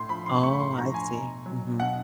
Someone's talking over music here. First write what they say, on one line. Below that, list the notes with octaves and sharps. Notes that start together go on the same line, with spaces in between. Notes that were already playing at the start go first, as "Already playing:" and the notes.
Oh, I see. Mhm.
Already playing: A2 C6
F3 B5
C6
A2 C#6
B5
C6
F3 A#5
G#5
B2
F#3
B2 F#5